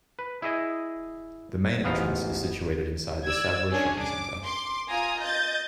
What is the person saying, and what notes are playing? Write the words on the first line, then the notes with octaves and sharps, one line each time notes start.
The main entrance is situated inside the Saddlers Shopping Centre.
B4
E4 G#4 D#5
A1 G#2 B3 F4 F5 G5
D5 E6 G#6
C#4 D4 G#4 C#5
D6
C6 D6
F4 G#5 A#5 D#6
D#5 G6 A6